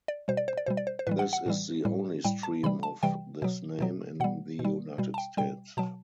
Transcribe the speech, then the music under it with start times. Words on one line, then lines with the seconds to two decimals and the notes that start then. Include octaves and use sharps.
This is the only stream of this name in the United States.
0.08 D5
0.28 B2 G3 C5
0.37 D5
0.48 C5
0.57 D5
0.66 B2 G3 C5
0.77 D5
0.87 C5
0.99 C5
1.07 A2 E3 G3 B4
1.19 F#5
1.33 F#5
1.46 A2 E3 G3
1.85 A2 G3
2.25 A2 G3 G5
2.43 A5
2.63 C3 E3 G3 B5
2.83 A5
3.03 C3 E3 G3 G5
3.42 B2 F#3
3.81 B2 F#3
4.20 B2 G3 F#5
4.59 B2
4.65 G3
4.98 B2 G3
5.14 A5
5.18 G5
5.37 B2 G3 G5
5.77 B2 F#3 A5